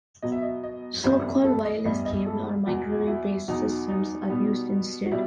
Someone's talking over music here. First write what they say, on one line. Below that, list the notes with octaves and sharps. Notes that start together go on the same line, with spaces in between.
So-called "wireless cable" or microwave-based systems are used instead.
B2 F#3 B3 D#5
E5
D#5
D#5
G2 E3 G3 B3 C5
A4
D#5
G2 E3 G3 B3 D#5
D#5
A4
E2 B2 F#3 F#4
F#4
E4
E2 B2 F#3 D#4
D#4
B2 G3 B3
F#4
B2 G3 E4